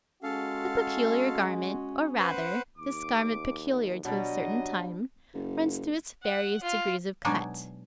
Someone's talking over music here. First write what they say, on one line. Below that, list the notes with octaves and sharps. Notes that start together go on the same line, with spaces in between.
The peculiar garment, or rather, this garment peculiar to a certain time, runs through its various degrees of cut.
G#3 C#4 F#4 A4 F5
B4 C5 F#5
D#2 D6
B2 F#3 G3 D4 D#5
F#1
F#5
F4
B2 F#3 G#3 D4 D#4